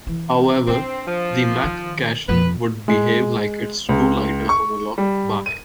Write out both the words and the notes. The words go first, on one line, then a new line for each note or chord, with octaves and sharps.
However, the Mc cation would behave like its true lighter homolog Bi.
E3
C4 D4
F3
D#3
F2 F3 B4
G#3
C#2
C#6
G3
D#7